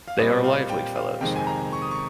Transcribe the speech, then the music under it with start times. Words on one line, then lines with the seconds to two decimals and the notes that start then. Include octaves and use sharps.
They are lively fellows.
0.08 F5
0.18 A#2 G3 C4 D#5
0.44 F5
0.70 G5
0.95 F5
1.21 F2 C3 D#3 G#3 C4 G5
1.36 G#5
1.47 A#5
1.72 C#6
1.82 D#6
1.91 C#6